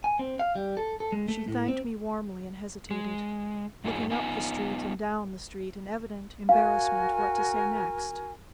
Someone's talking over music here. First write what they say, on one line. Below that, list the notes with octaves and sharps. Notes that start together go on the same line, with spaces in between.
She thanked me warmly, and hesitated, looking up the street and down the street in evident embarrassment what to say next.
G#5
C4
F5
G3
A4
A4
G#3
A3
A2
C4
G#3
G2 F#3 D#4 F4 G#4
B3 D#4 F4 G#5
F#4 A#4 F5 G#5